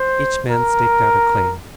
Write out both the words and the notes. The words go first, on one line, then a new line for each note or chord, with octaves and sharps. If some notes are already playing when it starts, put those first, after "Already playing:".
Each man staked out a claim.
Already playing: C5
A#4